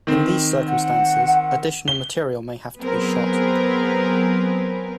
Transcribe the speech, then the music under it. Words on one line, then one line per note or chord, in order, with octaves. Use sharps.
In these circumstances, additional material may have to be shot.
D#3 C4
F#5
G7
F#3 B3 C4 G#4 A#4 B4